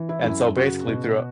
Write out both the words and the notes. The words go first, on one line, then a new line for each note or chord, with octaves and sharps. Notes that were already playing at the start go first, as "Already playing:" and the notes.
And so basically throughou
Already playing: E3
E4
F#2 E4
C#3 F#4
B2